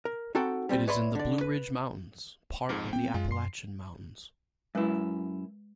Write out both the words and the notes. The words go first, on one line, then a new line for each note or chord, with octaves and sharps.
It is in the Blue Ridge Mountains, part of the Appalachian Mountains.
A#4
C4 D#4 F#4 A4 F#5 G5
G3 C4 C5 G5
B4 C#5 D5 E5 B5 C6
D3 D5
B4
F2 G#2
B3 C4 G5
F#2 G#3 F4
C6 C7
F#2 G#3 E4 B4